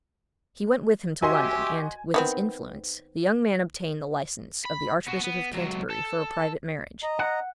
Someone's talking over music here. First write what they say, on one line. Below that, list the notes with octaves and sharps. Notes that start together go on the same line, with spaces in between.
He went with him to London, and, with his influence, the young man obtained the license of the Archbishop of Canterbury for a private marriage.
F#4 G4 D#5 E5 G#5 C6
D#3 B3 C4
B5
B3 F#4
B3
C#2 F#3
A4
D#5 A#5
F#5